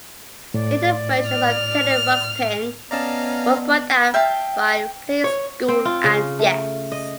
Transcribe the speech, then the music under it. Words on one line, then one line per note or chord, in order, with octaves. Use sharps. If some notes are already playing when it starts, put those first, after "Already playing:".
Later versions of "Teddy Ruxpin" were brought out by Playskool and Yes!
A2 D5
F6
B3 C#4 D5 D#5 F5 A5 A#5
E5 F5 G5 A5
C#5
C4
F4
C#3
A3
D#5